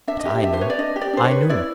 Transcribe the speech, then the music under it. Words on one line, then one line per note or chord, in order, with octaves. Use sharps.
But I knew, I knew!
D4 E5
D#5
G4 E5
D4 E5
C5
B4 C#5
D5
D4 D#5
G4
D5
D4 C5
C#5
B4
E4 D5